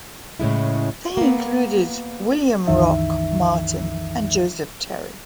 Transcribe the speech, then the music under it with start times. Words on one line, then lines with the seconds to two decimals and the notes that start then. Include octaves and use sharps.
They included William "Rock" Martin and Joseph Terry.
0.40 A2 C#3 G#3 E4
1.17 A#3 B3
2.67 C2 F#2 D#3 E3 D#4 E5